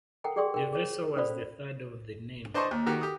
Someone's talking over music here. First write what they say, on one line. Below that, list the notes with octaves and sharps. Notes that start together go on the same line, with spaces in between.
The vessel was the third of the name.
A4 A#4 F#5 G5 A#5
G4 G#4 D5 G5 C6 D#6
A#4 G5
G#4 C#5
C#4 A4 C5 D5 F5 B5
D4 C5 D#5 A5 C6 C#6
D#2
D#3 F#4 G4 A#4
G4 D#6